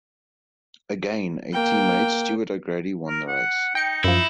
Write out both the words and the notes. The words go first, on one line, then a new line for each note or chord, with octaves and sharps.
Again a team mate, Stuart O'Grady, won the race.
A#3 G5
A#4
F#5
D#4 G5 C#7
F#2 F3 E4